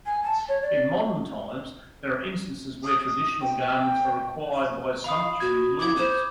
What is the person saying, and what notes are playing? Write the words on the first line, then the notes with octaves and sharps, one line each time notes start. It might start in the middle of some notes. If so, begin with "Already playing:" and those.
In modern times, there are instances where traditional garments are required by sumptuary laws.
G#5
A5
C#5
D5
D#6
G5
F5 B5 D#6
F#4 G#6
E4 D6 G#6
C5